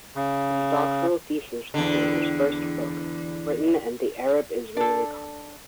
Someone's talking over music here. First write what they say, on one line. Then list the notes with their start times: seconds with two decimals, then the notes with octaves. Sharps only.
His doctoral thesis became his first book, "Britain and the Arab-Israeli Conflict".
0.15 C#3
1.74 E2 D3
4.77 D4 A4